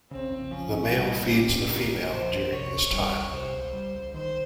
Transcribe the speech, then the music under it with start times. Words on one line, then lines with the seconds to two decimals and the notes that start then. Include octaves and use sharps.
The male feeds the female during this time.
0.11 C#3 C4
0.30 F2
0.51 F3 C#4
0.71 C4
0.91 G3 D#4
1.11 A#2
1.31 C#4 G4
1.51 A#2
1.72 C#3 A#4
1.92 F2
2.12 F3 C5
2.33 F2
2.52 C3 C#5
2.72 C#2
2.93 G3
3.12 C#2
3.33 C3 C5
3.53 C#2
3.73 G3
3.94 C#2
4.14 D#3 C5